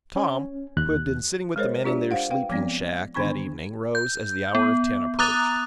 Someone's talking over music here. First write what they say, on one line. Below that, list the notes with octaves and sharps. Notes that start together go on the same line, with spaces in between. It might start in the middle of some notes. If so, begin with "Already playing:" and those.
Tom, who had been sitting with the men in their sleeping shack, that evening, rose, as the hour of ten approached.
C#4
D#2 F#6
G#3 G#4 A#4 C5 C#5 D#5
D4 F4 G4 D5 E5
C5 F5 F#5
B4 F5 G5
F3 G#3 B3 C4 D5
D3 D#3 B3 D4 B5 C#6
G6
B3
A#5 D6 D#6 F#6 A6 F7